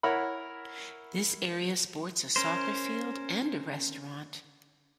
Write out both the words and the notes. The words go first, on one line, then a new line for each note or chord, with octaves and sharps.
This area sports a soccer field and a restaurant.
E4 A#4 C#5 F#5 B5
C#4 A#4 C5